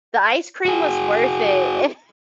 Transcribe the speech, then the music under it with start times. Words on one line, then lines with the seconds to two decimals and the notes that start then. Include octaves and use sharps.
the ice cream was worth it,
0.65 F#4 G#4